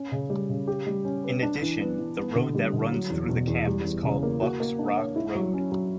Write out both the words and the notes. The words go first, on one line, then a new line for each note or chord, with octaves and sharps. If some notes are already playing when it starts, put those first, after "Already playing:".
In addition, the road that runs through the camp is called Buck's Rock Road.
Already playing: C#4
C#3
G3
C#3
G4
G3
C#4
B4
D4
E3
B3
E3
B3
D3
G3
D3
F#3
E2
B2
E2
G3
E2
C#3
A#3
F#4
A#3
D4
C#5
E4
F#3
C#4
F#3